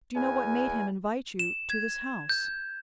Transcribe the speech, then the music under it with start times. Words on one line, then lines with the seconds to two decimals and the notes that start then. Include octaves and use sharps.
"Do you know what made him invite you to this house?"
0.16 E2 G#5
1.39 E7
1.70 G#6
2.29 G6